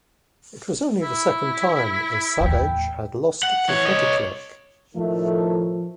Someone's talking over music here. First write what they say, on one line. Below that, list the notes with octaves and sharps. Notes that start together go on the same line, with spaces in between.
It was only the second time that Sauvage had lost to Petitclerc.
E4
E2 A2 G5
F#5
E3 C#5
C#5 D#5
A2 D#3 F3 A3